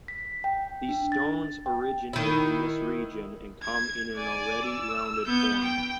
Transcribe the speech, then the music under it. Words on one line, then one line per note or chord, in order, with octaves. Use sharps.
These stones originate in this region and come in an already rounded form.
B6
G5
D4
A6
G5
D#3 E4
G#6
D5 G#5
E6
B3 G6
G5